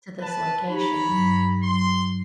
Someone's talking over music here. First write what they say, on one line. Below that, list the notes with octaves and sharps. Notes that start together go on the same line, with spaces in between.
to this location,"
B4 A5
D#4 G4 C#5 A#5 B5
G2 F#3
F#3 C6